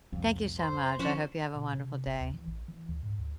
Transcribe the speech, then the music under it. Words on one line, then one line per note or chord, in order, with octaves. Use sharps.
Thank you so much, I hope you have a wonderful day,
C2 F2
C5
F3 C#4 C5
B2
C3
G1
D2
E3
A1
E3
D2
G#2
D2